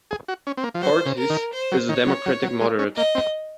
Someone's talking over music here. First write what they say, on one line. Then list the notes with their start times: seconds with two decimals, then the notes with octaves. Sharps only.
Ortiz is a Democratic moderate.
0.11 G#4
0.28 F#4
0.47 C#4
0.57 C4
0.64 A#3
0.74 F3
0.81 F#3 C5
1.06 C#3
1.18 A#4
1.30 D#3
1.53 C5
1.72 F#3
1.89 D#3 C#5
2.08 F#3
2.26 F#3
2.43 F#3
2.61 G#3
2.79 C#4
2.96 A#3 D#5
3.15 C4